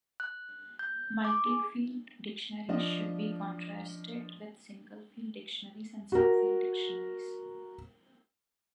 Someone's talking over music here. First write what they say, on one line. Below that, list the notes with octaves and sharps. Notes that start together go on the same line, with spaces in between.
Multi-field dictionaries should be contrasted with single-field dictionaries and sub-field dictionaries.
F#6
G6
D6
G#4
F3 D4 D#5
F#4 A#4